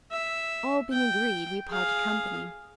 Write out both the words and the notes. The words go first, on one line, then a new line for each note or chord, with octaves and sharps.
All being agreed, we parted company.
E5
G5
G#4 F5